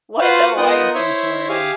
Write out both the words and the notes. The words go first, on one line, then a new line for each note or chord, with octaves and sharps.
what the Hawaiian foods were, and,
F4 F#4 B4 C5 F5 F#5
B3 D#4 F4 A#4 D#5 F#5
E4 C5 C#5 E5
G4 G#4 E5 F5